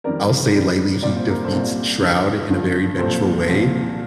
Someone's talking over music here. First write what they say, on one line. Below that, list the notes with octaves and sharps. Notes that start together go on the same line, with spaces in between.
I'll say lightly, he defeats Shroud in a very vengeful way,
F2 D#3 G3 A#4 D5
F2 D#3 G3
C2 A#2 G3 D5
C5
A#4
A4 C5
C2 A#2 G3
G2 D3 F3
G2 D3 F3
C2 A#2 F3 A4 C5
C2 A#2 F3